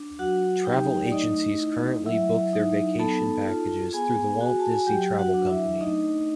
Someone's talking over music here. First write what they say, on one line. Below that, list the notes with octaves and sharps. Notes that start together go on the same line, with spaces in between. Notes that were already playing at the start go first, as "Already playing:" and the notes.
Travel agencies currently book their vacation packages through the Walt Disney Travel Company.
Already playing: D4
F#3 F#4 F#5
D#4 G4 G5
D5
A3 D#4 D#5
E4
F#3 E4 E5
D#4
B3 A4 A5
F4
B3 G#4 G#5
F#4
A5
G#5
F#3 G4 G5
F#4 F#5
D4
E4 E5
A3 D#4 D#5